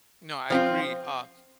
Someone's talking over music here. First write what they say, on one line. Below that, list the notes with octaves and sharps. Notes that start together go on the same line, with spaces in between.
No, I agree, uh,
F3 C4 F4